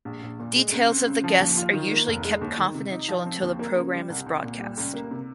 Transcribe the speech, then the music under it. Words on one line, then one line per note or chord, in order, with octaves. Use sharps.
Details of the guests are usually kept confidential until the programme is broadcast.
A#1
A#1
A#2
G#3
C#2
C4
C#3
F3
D#2
F4
D#3
A#3
F1
G#3
D#2
D#3
C3
D#4
F3
C4
D#2
A#3
C#3
G3
C2
C2
A#2
G3
C#2
A#3
C3